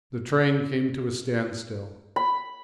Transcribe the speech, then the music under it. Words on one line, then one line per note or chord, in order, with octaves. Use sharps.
The train came to a standstill.
B5